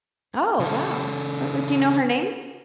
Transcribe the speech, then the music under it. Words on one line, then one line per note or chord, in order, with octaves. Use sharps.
Oh, wow. Her do you know her name?
C#3 A4